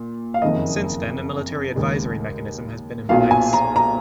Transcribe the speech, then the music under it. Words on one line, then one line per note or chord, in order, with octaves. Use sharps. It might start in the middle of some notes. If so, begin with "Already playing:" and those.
Since then, a Military Advisory Mechanism has been in place.
Already playing: A#2
F5
F#1 F2 D#3 D#5
D#2 C#3 G#3
B1 A#2 F#3 F5
G#5
A#5
A#5